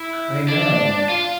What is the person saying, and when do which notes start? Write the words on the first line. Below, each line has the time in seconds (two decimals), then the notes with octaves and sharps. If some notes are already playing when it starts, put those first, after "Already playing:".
I know.
Already playing: E4
0.49 D4
1.09 F4